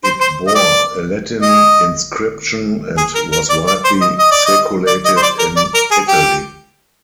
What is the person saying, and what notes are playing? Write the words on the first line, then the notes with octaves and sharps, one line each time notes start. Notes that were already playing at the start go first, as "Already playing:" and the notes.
It bore a Latin inscription and was widely circulated in Italy.
C5
C5
D#5
D5
D#5
G#4
A#4
A#4
D5
D5
C5
D#5
D#5
D5
D#5
D5
D#5
C5
D5
A#4
D5
A#4
G#4
G4